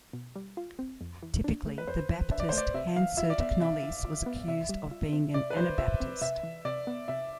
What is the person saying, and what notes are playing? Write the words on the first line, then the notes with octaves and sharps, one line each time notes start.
Typically, the Baptist Hanserd Knollys was accused of being an Anabaptist.
B2
G3
F4
C4
F2
E3
D4
A3
B4
F2 C5
E3
D4 E5
D5
A3 C5
D5
C3 E5
E3 F5
F4 E5
D5
B3 E5
C3 E5
E3
F4
B3
C3 E5
G3
F4
C4
C3 D5
B4
G3 C5
F4 E5
C4
C3 E5
E3
C3 D5
B3
C3 E5